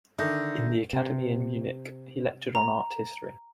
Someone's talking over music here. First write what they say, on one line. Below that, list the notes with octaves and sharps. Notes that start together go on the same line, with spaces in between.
In the academy in Munich, he lectured on art history.
D3 D#3 E5 G6 A#6
C3
A#5